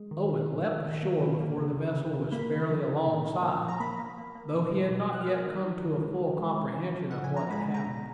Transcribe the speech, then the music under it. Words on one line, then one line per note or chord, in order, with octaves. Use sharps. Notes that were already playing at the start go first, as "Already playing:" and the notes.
Owen leaped ashore before the vessel was fairly alongside, though he had not yet come to a full comprehension of what had happened.
Already playing: G#3
D#3
D#3
D#3
D#3
D#3
A#3
D#3
A#3
C#3
C#3
C#3
C#3
A#3 B5
C#3
F3
C#3
A#2
A#3
A#2
F3
A#5
A#3 B5
A#3
A#3
A#3
B2
G#3
B2
G#3 F#6
F6
A#3 D#6
D#3
D#3
D#3
G#3
D#3
G#3
G#3
C#3
F3
C#3 F#5
G#5
F3 A#5
G#3 B5
G#3
A#5
B2